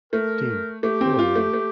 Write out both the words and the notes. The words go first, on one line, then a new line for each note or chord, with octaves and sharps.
Dean, go away.
A3 A#4
A3 G4
C4
F4
A3
A3